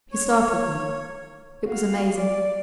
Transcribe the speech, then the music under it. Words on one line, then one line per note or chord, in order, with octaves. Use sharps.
He startled me. It was amazing.
C#5
F#4 F5
D5